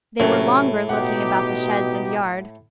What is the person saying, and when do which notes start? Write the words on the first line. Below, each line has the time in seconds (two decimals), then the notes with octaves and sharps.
They were longer looking about the sheds and yard.
0.20 A2 C3 F#3 C#4 B4
0.89 B2 D#4 G4 F#5